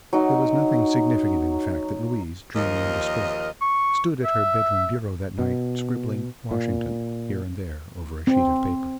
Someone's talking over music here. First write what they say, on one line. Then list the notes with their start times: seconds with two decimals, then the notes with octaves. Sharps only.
There was nothing significant in the fact that Louise, dreamy and distraught, stood at her bedroom bureau that night, scribbling "Washington" here and there over a sheet of paper.
0.13 F#3 D#4
2.55 D#2 F3 A#4 D#5
3.62 C#6
4.25 E5
5.39 B2
6.51 A#2
8.27 C4